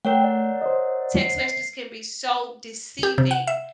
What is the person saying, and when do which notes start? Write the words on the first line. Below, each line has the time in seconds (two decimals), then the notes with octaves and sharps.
Text messages can be so deceiving,
0.05 A3 A#4 C#5 F#5 G5
0.24 D5
0.62 C5 D#5
1.17 C7
3.03 G4
3.18 C3
3.31 F#5
3.47 E5